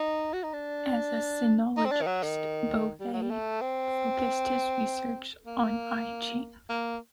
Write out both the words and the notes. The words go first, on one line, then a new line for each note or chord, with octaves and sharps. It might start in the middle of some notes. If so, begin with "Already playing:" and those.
As a sinologist, Bouvet focused his research on "I Ching".
Already playing: D#4
F#4
D#4
D4
D#4
C4
D4
D#3
F#3
D#3
G3
F#3
G3
A3
C4
A#3
A#3